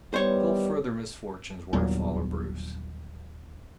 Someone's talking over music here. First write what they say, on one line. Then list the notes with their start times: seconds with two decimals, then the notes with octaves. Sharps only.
Still further misfortunes were to follow Bruce.
0.14 D#3 E3 G3 B3 C5 C#5
1.73 G1 D#2 A#2 F#3